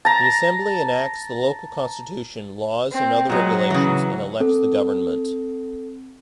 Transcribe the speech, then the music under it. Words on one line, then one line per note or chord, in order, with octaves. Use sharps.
The Assembly enacts the local Constitution, laws and other regulations and elects the Government.
A5 A#5
C4
A#2 F#3 G#3
C#3 E3
C4 A4